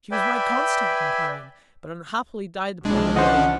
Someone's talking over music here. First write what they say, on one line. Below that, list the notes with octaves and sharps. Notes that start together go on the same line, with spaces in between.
She was my constant Companion; but unhappily died upon the Road.
B4 D5 E5 G5 G#5
C2 E3 F3 G#3 D4
D3 C#4 D4 C5 D#5 F#5